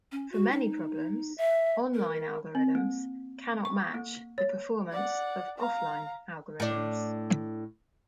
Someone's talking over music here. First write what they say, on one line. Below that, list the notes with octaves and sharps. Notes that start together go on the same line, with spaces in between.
For many problems, online algorithms cannot match the performance of offline algorithms.
C#4
F#4
D#4
E5
A#4
C4
A#3
C#6
A#3
C#5
D5 F#5
F5 A#5
A2 D4